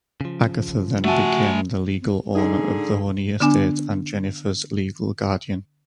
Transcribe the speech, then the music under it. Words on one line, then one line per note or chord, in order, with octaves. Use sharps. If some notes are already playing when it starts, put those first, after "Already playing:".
Agatha then became the legal owner of the Honey estate and Jennifer's legal guardian.
C#3 F3
A3 F#4 E5 G#5 A5
G#2 D3 D#4 G#4
D3 B3 D4 G#5